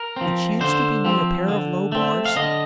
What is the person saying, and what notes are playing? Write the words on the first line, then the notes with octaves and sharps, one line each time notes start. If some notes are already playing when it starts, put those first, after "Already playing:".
We chanced to be near a pair of low bars.
Already playing: A#4
F3 C4
D3 C5
F3 C4
D3
A3 C4
F5
D3 D#5